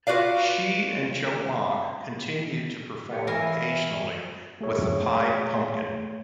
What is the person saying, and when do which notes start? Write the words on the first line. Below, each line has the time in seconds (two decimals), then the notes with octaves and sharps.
She and Joe Mock continued to perform occasionally with The Pied Pumkin.
0.07 F4 F#4 B4 D5 F5
3.11 B3 G4 C#5
3.27 E3 A#4 E5 F5 G#5
4.61 A3 G#4 C#5